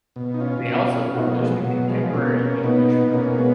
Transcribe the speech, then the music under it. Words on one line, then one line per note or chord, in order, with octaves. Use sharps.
They also publish the Contemporary English Version.
B2
D#4
C#4 F4
B2
B2 D#4 F#4
F#3 A#3
F3 G#3
F#3
B2 F#3
F3 G#3
B2 A#3 C#4
A#3 C#4
B2 B3 D#4
B2 A#3 C#4
G#3 B3